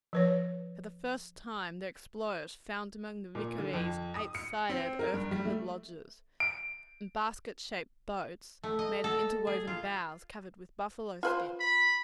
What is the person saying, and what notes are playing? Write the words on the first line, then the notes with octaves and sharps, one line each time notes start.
For the first time the explorers found among the Rickarees eight-sided earth-covered lodges, and basket-shaped boats made of interwoven boughs covered with buffalo skins.
F3 B4 C#5
A#2
D3
F2
D#6
C#7
C4
A#4
G2
G3
A3
D7
A3
D#5
A4
G#4
F4
F4 B4 C5
B5